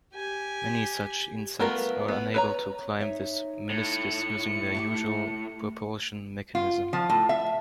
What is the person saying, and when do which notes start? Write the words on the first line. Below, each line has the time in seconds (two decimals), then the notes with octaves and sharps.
Many such insects are unable to climb this meniscus using their usual propulsion mechanism.
0.14 G4 G#5
1.60 A3 B3 F4 A#4
2.08 B3
2.34 B4 C#5 A#5
2.99 D#4 C#5 E5
3.70 A2 C#7
4.75 A3 E4 G4
6.55 F4
6.93 F3
7.09 A2
7.29 E5